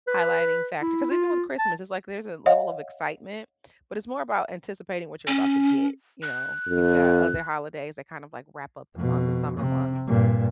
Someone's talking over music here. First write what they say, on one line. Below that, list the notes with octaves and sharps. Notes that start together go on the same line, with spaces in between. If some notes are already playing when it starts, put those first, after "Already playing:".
highlighting factor 'cause even with Christmas, it's like there's a level of excitement, but it's more about anticipating what you're about to get, you know, you've got other holidays that kind of like, wrap up the month, the summer months.
B4
E4
F4
A5
C#5 D#5 F5 F#5
C#4
F#6
F2
F2 B2
C3
G2 A#2